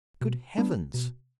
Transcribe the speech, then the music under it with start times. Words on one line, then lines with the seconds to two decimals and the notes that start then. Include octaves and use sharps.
Good heavens!
0.21 B2
0.58 G3 B3 D4
0.94 B2